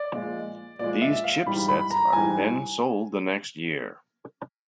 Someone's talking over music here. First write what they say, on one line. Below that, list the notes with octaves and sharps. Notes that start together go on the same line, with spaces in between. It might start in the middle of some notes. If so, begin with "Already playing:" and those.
These chip sets are then sold the next year.
Already playing: D5
A#2 F3 G#3
A#2 F3 G#3 D5
E5
F5
G#2 E3 G3 B5
B5
A#5
G#2 E3 G3 G#5